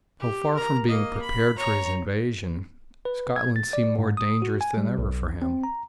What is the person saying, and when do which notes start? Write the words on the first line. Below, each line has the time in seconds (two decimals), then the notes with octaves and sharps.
So far from being prepared for his invasion, Scotland seemed more dangerous than ever for him.
0.20 G4
0.55 A#4 A#5
0.88 A#3 D#5
1.22 B5
1.58 C#5 A#5
3.05 B4
3.36 G#6
3.56 A6
3.73 D5
3.99 G#2
4.17 D#6
4.42 F#4
4.61 G#5
4.77 G3
4.98 B1
5.42 C4
5.63 A#5